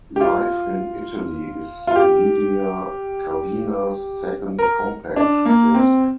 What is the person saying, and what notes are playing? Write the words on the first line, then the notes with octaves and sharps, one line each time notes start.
Live in Italy is Lydia Kavina's second compact disc.
G4
F4
F4
G4
A#4
D4
A#3
C4